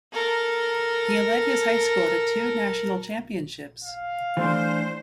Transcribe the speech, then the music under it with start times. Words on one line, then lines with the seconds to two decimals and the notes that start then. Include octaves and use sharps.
He led his high school to two National Championships.
0.13 A4 A#4
3.84 F5
4.37 E3 A3 D4 C5